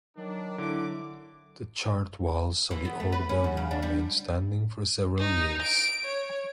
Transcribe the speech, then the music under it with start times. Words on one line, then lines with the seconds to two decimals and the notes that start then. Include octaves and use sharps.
The charred walls of the old building remained standing for several years.
0.17 D#3 F#3 D4
0.58 D3 E4 D6
2.71 E3
2.85 B3
3.00 A3
3.12 B4
3.29 C#4
3.44 F#2
3.57 C#3
3.71 D4
3.82 G3
5.19 D#4
5.63 D7
6.05 C#5